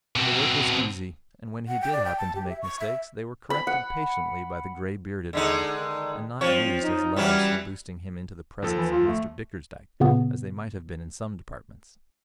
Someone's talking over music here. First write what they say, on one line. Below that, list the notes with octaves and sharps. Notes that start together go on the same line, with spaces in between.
The work was easy; and when he did happen to make mistakes, they were corrected patiently by the grey-bearded one, and not used as levers for boosting him into the presence of Mr Bickersdyke, as they might have been in some departments.
B2 C4
F#5
G5
D5
G5
A5
G4
E5
C#6
E5
B5
F#5
D3 G#3 D#4
D#3
F3 C4 C#5
D#4
E3 F#3 G3 C#4
D#2 F3 A4
E3
F4
A3
A#2 C#3 B3